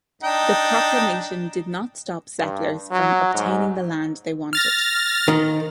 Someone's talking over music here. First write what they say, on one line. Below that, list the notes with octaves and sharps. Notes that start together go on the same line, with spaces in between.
The proclamation did not stop settlers from obtaining the land they wanted.
D4 D#4 G5
G2
F#3
G#2
F6 A6 A#6
D#3